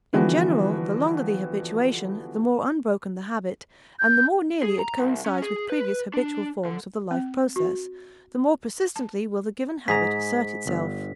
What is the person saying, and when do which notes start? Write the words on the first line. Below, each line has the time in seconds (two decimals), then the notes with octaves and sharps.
In general, the longer the habituation, the more unbroken the habit, and the more nearly it coincides with previous habitual forms of the life process, the more persistently will the given habit assert itself.
0.13 D3 E3 F3 G3 B3 F#4
3.99 G6
4.63 G#4
4.79 A#5
4.98 C2
5.26 C#4
5.42 G#4
5.70 B4
6.14 D4
6.65 D3
7.11 C4
7.56 F#4
8.96 A5
9.88 G#2 G#4 A#5 B6
10.67 G1